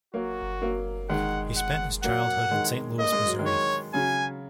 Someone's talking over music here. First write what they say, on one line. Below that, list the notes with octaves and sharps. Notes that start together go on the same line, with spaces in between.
He spent his childhood in Saint Louis, Missouri.
F#3 A#3 F#4
F#3 A#3
D#3 G#3 F#5
F#5
F#3 A#3 F#5
D#3 G#3
A#3 D#5
G#3
F#3
D#3 G#3
C#5
C#3 F#3 G#5